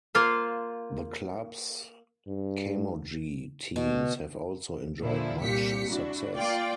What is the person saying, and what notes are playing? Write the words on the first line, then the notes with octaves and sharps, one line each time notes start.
The club's Camogie teams have also enjoyed much success.
A#3 F4 C5 F5
G2
B2
A#2 D3 F3 E4
C2 A#2 G4 B6 C#7
D4 E4 F#4
A#3 F4 D5 G5